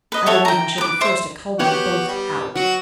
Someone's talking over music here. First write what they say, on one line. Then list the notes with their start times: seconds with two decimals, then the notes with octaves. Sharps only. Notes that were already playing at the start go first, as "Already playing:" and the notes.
I believe I shall be forced to call them both out.
0.12 B4 D#5
0.26 A4 C#5 E5 F#5
0.45 G5 A#5
0.78 B4 D6
1.01 C5 E5
1.59 B3 F#4 G4 C#5 F#5
2.08 G3
2.56 F#3 F#4